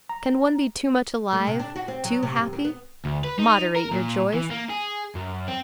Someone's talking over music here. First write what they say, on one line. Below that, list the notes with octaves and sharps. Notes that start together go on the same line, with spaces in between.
Can one be too much alive, too happy? Moderate your joys.
A#5
A3
C3
D4
F#4
C4
F#3
C3
F#2
D#2
B3
D2
B4
D#4
A#4
A#2
E3
A#3
G#4
F#2
C4